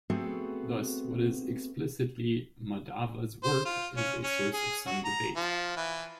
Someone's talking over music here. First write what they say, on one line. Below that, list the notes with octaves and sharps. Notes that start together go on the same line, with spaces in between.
Thus, what is explicitly Madhava's work is a source of some debate.
A3 B3 C4 F#4 G#4 A4
C5
F4
C#4
C#4
G#4
F#4
A#5
F3
E3